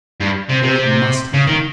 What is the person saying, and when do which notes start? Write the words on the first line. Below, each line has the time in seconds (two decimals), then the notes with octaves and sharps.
For it MUST happen.
0.20 G2
0.49 C3
0.63 C3
1.34 C#3
1.47 D#3